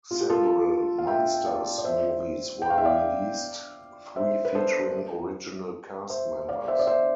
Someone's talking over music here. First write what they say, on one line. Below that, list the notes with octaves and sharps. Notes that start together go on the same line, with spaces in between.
Several "Munsters" movies were released, three featuring original cast members.
F4
G4
F4 A4
F5
E5 G5
G5
D5 F5
D5
C5 E5
G5
F5
E5
D5 F5
C5 E5
B4
A4 C5
C5 E5
D5 F5
C5 E5
D5
C5 E5